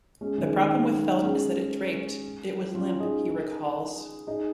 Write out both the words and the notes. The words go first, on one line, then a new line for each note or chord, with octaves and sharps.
"The problem with felt is that it draped, it was limp," he recalls.
G#3 C#4
D#3 G#3
D#3
G#3 C#4
C#4 F4
D#4 G#4
D#4 G#4